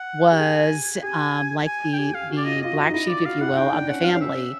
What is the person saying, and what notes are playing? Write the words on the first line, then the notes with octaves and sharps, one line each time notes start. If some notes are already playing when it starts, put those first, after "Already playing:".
was, um, like the the black sheep, if you will, of the family,
Already playing: F#5
G4
G#4 G#5
G4 G#5
G#5
G5
G4 G#5
G4 F5
F#4
D5
F4 D#5
F#4
F4 D#5
F#4
F4
D#4
E4 D#5
F4 D5
F#4 F5
E4 F#5
D#4 G5
D4
C#4 F#5
C4 F5
C#4
E5